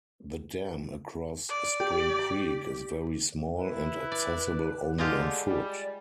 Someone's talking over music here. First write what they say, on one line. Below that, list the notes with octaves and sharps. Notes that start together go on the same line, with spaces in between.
The dam across Spring Creek is very small and accessible only on foot.
D5
G4
E4 B4
D5
D3 G#3 F4 G4
G3 D5